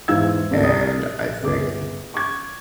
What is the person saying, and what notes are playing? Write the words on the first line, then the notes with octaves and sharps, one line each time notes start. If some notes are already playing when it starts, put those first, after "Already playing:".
And, I think
E2 G#2 E4 F5 E6 G#6
G#1 A#3 D4
D#6
G1 G#4 D6
C#6 D6 G#6